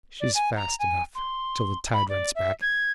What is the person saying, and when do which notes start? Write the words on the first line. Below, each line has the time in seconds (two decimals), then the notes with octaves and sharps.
'She's fast enough till the tide runs back.
0.20 D5
0.35 G#5
0.56 A#5
0.79 G#5
1.15 C6
1.93 B5
2.09 D5
2.35 E5
2.61 G#6